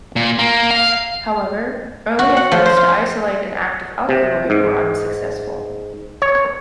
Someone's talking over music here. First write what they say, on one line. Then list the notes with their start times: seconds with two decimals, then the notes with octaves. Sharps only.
However, early efforts to isolate an active alkaloid were unsuccessful.
0.16 A#2
0.39 A#3
0.71 F5
2.19 F#4
2.37 F#5
2.52 F3
2.66 C5
2.77 F4
4.09 C3
4.50 G#2
6.22 C#5